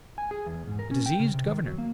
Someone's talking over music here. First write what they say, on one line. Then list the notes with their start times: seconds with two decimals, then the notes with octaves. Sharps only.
A diseased governor?
0.18 G#5
0.31 G#4
0.46 E2
0.67 G#2
0.79 A#4
0.91 C#4
1.06 G5
1.19 C#3
1.34 C3
1.47 D#3
1.66 F#3
1.78 A#3